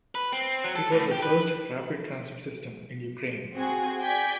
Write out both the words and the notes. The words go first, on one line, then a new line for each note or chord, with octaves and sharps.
It was the first rapid transit system in Ukraine.
B4
C4
F#3
A4
A2
G4
B4
C4 F#4 G#4 G#5
D5 G5 G#5 G#6 B6